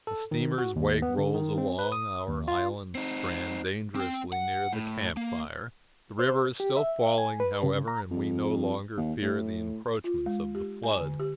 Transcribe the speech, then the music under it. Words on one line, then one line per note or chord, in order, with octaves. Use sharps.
A steamer's wake rolls along our island strand, dangerously near the camp-fire; the river is still falling, however, and we no longer fear the encroachments of the flood.
A4
D#3
F#4
D#2
B3
D3
D#3
C4
B4
D#6
D#2
F4
C4 D#4
C4 G5
F#5
A2
A#3
C5
G4
E5
G#5
B4
C#3
A#5
F2
D#2
A2
F4
G#3
G4
G#5
D3
G4